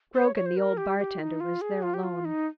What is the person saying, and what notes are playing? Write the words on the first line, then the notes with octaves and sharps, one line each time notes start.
Grogan, the old bartender was there alone.
C5
C#5
C#5
C5
A#4
G4
G4
D#4
F4
G#4
F4
G4
F4
D#4